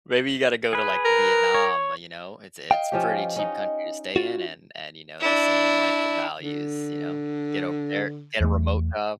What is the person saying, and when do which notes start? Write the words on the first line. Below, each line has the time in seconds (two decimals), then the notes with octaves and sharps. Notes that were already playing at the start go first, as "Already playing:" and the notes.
Maybe you gotta go to, like, Vietnam, uh, you know, it's it's pretty cheap country to stay in and and, you know, the same, like, values, you know? Get over there, get a remote job.
0.73 G#4 B4
1.05 A#4
1.55 C#5
2.71 D#5 F5 G5
2.92 F3 C#4 G4
3.36 C#4 D#4
4.16 F4 F#4
5.21 D4 E4
6.40 D3
8.41 E2 A3